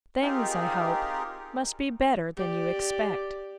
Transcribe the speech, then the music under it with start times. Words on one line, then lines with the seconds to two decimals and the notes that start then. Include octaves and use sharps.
Things, I hope, must be better than you expect.
0.22 C4 D#4 F4 G4 G#4 A#4
2.37 G4 D5